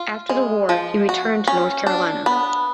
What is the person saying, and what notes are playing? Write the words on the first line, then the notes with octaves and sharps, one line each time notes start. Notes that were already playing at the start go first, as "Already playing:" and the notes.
After the war, he returned to North Carolina.
Already playing: F4
G#3
F3
F#4
C#4
D4
B3